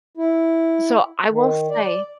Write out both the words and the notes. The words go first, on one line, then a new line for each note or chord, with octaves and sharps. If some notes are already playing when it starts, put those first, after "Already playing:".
So, I will say
E4
D#3
D5